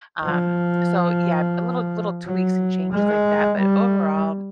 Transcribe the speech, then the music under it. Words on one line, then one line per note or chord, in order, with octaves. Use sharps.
Um, so, yeah, a little little tweaks and changes like that, but overall,
F3
F#3
G#3
G3